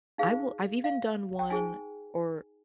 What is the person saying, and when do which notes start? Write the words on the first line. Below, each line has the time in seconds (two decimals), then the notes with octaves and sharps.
I will I've even done one, or
0.18 D#4 G#4 C5 F5
0.84 F5
1.39 G5
1.50 D#4 G#4 C5 G#5